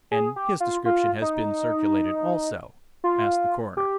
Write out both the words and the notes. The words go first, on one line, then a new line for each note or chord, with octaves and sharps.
"And his description has been circulated also?" asked the coroner.
G#4
G4
F4
F4
D#4
F4
G4